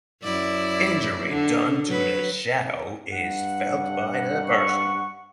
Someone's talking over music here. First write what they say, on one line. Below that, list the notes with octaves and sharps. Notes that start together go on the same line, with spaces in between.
Injury done to the shadow is felt by the person.
F#2 E4 D5
D3
F#3 B4
G2 F#5
C#6